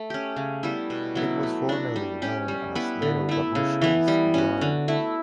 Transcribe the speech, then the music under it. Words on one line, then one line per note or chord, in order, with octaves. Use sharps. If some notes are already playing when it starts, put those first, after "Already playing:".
It was formerly known as Little Babooshka's Grind.
Already playing: A3
C#4 G4
C#3
G3 B3 E4
B2
F#3 B3 E4
A3
D4 F#4
G3
C#4 G4
G3
B3 E4 B4
D3
A3 E4
C#3
E3 B3
G3
C#4 F#4
D3
A3 E4